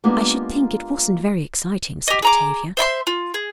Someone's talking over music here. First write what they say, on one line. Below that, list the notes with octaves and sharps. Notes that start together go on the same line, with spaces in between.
"I should think it wasn't very exciting," said Octavia.
G#3 A#3 B3 D4 F4 G4
G4 D#5
G#4 A#5 D6
C5 E5 B5 C6
F4
G#4